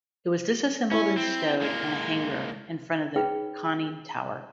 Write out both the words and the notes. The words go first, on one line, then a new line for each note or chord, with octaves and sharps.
It was disassembled and stowed in a hangar in front of the conning tower.
C#4 E4
C4
G#3 A#3
D#4 G#4 B4 C#5 G5 B5